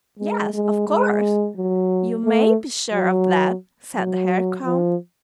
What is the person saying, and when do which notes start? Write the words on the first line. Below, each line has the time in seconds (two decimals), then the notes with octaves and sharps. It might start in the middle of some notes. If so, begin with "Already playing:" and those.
"Yes, of course! you may be sure of that," said the hair-comb.
0.19 G#3
0.54 G#3
0.88 G#3
1.57 F#3
2.24 A3
2.93 F#3
3.95 F#3
4.64 F3